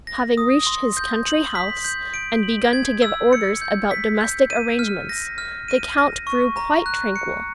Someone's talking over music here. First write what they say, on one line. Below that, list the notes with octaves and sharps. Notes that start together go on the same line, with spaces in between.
Having reached his country house and begun to give orders about domestic arrangements, the count grew quite tranquil.
A#6
D#6
C6
G6
F#7
B6
G6
D7
F#7
G#6
E6
C#7
G6
B6
G6
D#7
F6
A#6
F6
D#7
A#6
C#6
A#5
F#6
C#7